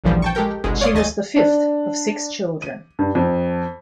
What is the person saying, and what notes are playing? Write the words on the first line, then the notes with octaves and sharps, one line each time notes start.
She was the fifth of six children.
A1 D2 A#2 E3 F3 G3
G5 A5 C#6
G#3 G4 A4 A#4 G5
G1 C2 B2 G#3
C#5 D5 F5 C6 D#6
D#2 A3 D#5 G#5 A6
D4
D#7
G2
F2